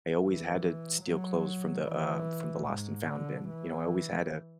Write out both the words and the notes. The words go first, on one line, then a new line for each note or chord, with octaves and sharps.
I always had to steal clothes from the, uh from the lost and found bin, you know, I always had a
E3
F#3
E3
G#2
D3
E3